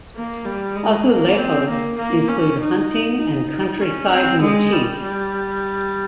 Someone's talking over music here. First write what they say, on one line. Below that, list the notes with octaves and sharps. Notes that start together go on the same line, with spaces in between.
Azulejos include hunting and countryside motifs.
A#3
G3
G#3
A#3
C4
A#3
A#3
C#4
D#4
D#4
C#4
C4
G#3
G3
G3